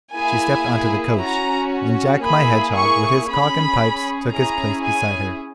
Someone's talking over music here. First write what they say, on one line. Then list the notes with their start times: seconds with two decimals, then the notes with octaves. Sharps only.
She stepped into the coach, and Jack my Hedgehog with his cock and pipes took his place beside her.
0.14 A#3 E4 G#4 G#5
1.19 C#4 F#4 A#5
2.23 A#3 E4 G#4 B5
2.75 C#6
3.28 C#4 G#4 B5
4.32 C#4 E4 G#4 A#5
4.85 G#5